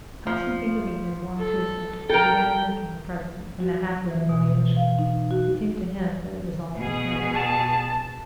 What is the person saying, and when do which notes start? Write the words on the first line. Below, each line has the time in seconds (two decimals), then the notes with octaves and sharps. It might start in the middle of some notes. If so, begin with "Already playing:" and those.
Konstantin Levin had warmed to his subject, and began mimicking the president and the half-witted Alioshka: it seemed to him that it was all to the point.
0.27 F3
1.39 A4
2.09 A4 A#4 G5
3.60 F#4
4.11 E3
4.29 B2
4.76 F5
4.99 D#4
5.31 F#4
6.76 B2 G#4
7.33 A5